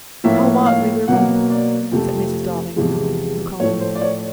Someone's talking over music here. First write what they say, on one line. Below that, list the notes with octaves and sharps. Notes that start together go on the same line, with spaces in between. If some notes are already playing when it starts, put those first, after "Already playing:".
"How wildly we romped!" says Mrs. Darling now, recalling it.
A2 F3 A#3 E5
F5
B2 F#3 A#3 F#5
D5
F2 C3 F3 A3
E2 C3 F3 G#3
A2 F3 A3 C#5
C5
D5
C#5